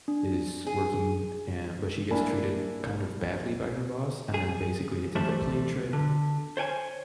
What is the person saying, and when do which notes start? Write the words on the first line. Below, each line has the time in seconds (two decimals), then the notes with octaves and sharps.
is working and but she gets treated kind of badly by her boss, and then, basically, they take a plane trip,
0.08 D4
0.67 G#4
2.11 A#3 D4 E4 G#5
4.34 G#4
5.15 E3 G3 A3 A4 C5 E5
5.93 D3
6.57 C5 C#5 G5 G#5